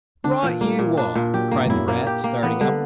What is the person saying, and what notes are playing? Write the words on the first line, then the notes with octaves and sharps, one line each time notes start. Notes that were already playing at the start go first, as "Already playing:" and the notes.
'Right you are!' cried the Rat, starting up.
D3 D4
A#2 E3
G3 A#3
A#2
D4
A#2
F#3 G4
G2 A#3
E2
F#2 E4
A#3
G4
A#3
E3 B3
D3 G3